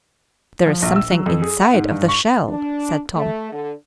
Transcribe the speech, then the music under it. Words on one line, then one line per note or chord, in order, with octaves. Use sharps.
"There is something inside of the shell," said Tom.
F3
A#1
E6
F#3
F2
G#4
F#5
G#2
G2
C#6
D4
A3
D3